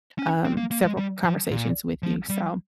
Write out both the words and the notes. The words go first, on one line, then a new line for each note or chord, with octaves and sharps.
um, several conversations with you. So,
C#4
C4
A#3
A#3
G#3
G3
F3
A#2
F3
G3